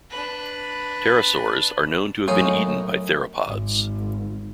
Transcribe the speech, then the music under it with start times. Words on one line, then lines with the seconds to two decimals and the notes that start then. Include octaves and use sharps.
Pterosaurs are known to have been eaten by theropods.
0.10 D4 B4
2.28 F#2 A2 D#4 F4 C#5 G#5
3.48 G#1